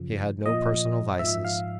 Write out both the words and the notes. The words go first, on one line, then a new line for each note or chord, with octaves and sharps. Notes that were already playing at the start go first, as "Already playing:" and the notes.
He had no personal vices.
Already playing: F#2 C#3 F3
A#2 F3 D#5
G#2 F3 E5
F5